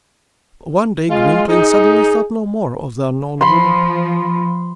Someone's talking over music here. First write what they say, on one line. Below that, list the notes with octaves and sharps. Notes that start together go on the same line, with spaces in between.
One day Gwynplaine suddenly thought no more of the unknown woman.
G#3 F4
D#4 G#4
F3 B5 C6